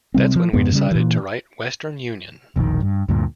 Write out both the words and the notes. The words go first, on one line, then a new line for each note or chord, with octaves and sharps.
That's when we decided to write 'Western Union.
C3 G3 C4
F3
F2 G#2 C#3 B3
C#3 G3
A#2 E3
E1 A#1 G#2 D#3
G2
D2 G2 A#2